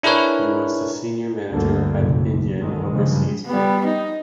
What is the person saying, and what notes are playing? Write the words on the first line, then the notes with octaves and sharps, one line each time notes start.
He was the Senior Manager at Indian Overseas Bank.
D4 E4 G#4 A#4 B4 C#5
D2 G2 D3 A3 A#3
F#1 B1 A2
B1
G1 C#2 A2 D3 D#3 G#3
G2 A#2 C#3 F3 G3 G#3
G3 B3
D#4